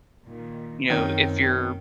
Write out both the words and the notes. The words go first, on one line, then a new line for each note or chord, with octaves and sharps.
you know, if you're,
A#2 D#3
F#2 D#3 C4 C#4